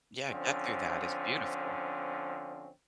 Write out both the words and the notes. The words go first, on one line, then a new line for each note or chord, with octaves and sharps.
Yeah, get through that is beautiful.
D3 F3 C4 C#4